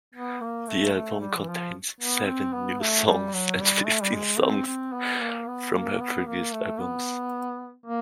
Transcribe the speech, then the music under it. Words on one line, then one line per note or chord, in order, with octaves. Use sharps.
The album contains seven new songs and fifteen songs from her pervious albums.
B3
A#3
A3
A3
G3
E3
F3
B3
C4
B3
A3
G3
F#3
G3
A3
G3
G#3
C4
C4
B3
A#3
B3
A#3
B3
A#3
A3
B3
A#3